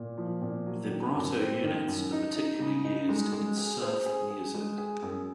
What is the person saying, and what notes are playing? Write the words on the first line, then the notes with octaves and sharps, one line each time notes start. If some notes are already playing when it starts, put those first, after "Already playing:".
Vibrato units are particularly used in surf music.
Already playing: A#2
F3
A#2
F#3
D#3
F#2
C4
D#3
F#2
D#4
D#4
C#3
D#4
G#3
G#3
G#4
C5
G#4
G#4
G#3
G#4
F#2